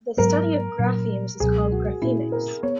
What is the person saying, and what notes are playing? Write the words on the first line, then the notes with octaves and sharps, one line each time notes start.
The study of graphemes is called graphemics.
G#2 F#3 B3 A#4
A#2 F#3 C#4
C#2 B2 F#3 G#4
F#4
A#2 A#3 C#4 E4
A#4
B3 C#5